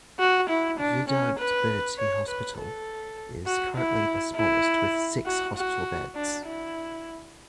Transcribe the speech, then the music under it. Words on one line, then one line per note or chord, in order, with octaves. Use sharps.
Vidant Bertie Hospital is currently the smallest, with six hospital beds.
F#4
E4
D4
C#4
B4
C#5
B4
A4
F#4
E4
E4
F#4
F#4
D4
E4